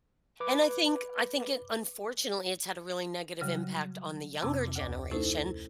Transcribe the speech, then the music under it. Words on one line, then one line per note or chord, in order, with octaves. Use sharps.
And I think I think it unfortunately, it's had a really negative impact on the younger generation
B4 D6
C#3 F#3 G3 F#4
F2 C3 C4 D6 E6
D2 D5 D6
A3 C#4 D#4 E4 A4 C5